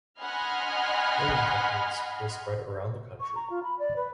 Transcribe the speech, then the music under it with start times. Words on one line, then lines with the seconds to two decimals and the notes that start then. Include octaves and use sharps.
Milling techniques were spread around the country.
0.19 D#5 F#5 G#5 B5 C6 F6
3.20 C#6
3.36 A#5
3.50 F4
3.63 B5
3.79 D5
3.96 B4